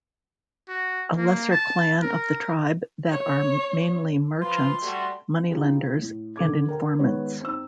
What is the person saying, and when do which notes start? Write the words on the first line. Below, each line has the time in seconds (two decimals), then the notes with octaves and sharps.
A lesser clan of the Tribe that are mainly merchants, money lenders and informants.
0.69 F#4
1.17 A#3
1.51 A5
2.02 A#4
3.10 C#5
4.41 F3 F4 B4 C6
4.82 G3 A3 F#4
5.50 D#4 F4 G4 G#4
5.99 A2
6.36 D3 A4 D6 G#6
6.69 A#4 G5
6.99 D#3 G#3 B3 B4 C#5
7.40 C4 D#4 E6